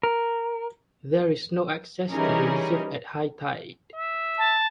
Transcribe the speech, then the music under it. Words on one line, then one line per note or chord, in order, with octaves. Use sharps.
There is no access to the reserve at high tide.
A#4
E3 G3 C#4 D#4 G#4 A#4
E5
A5